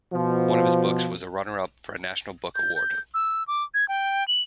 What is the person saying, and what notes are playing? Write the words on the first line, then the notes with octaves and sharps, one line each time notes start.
One of his books was a runner-up for a National Book Award.
B2 F3
G6
G6
E6
D6
G#6
G5
F#7